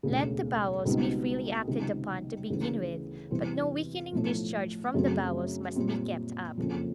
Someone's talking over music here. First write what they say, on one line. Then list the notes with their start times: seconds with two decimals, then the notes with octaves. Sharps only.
Let the bowels be freely acted upon to begin with, but no weakening discharge from the bowels must be kept up.
0.03 E1 D2 C#3
0.85 C#2 B2 G3 C4 D#4
1.67 C#2 C3 D#3
2.50 D2 C#3 E3
3.31 E2 C3 E3 G3 C4
4.12 B1 A2 F3 A3
4.94 F#2 C#3 F#3 A3 C4
5.76 A#2 G3 C4
6.57 F#1 F2 C#3 F3